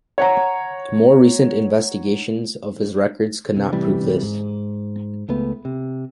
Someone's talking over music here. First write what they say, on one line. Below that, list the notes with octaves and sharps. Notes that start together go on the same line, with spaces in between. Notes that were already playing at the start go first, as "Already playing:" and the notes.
More recent investigations of his records could not prove this.
C#5 F#5 A#5
C3
A1 C3 E3 G3
G#2
C#2 A3 B3
C3